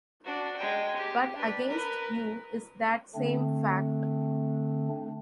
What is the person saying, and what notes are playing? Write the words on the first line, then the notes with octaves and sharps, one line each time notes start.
But against you is that same fact.
D4 F#4
G#3 G5
G4
D4 B4
A#4 B4
D3 A3 C4 D4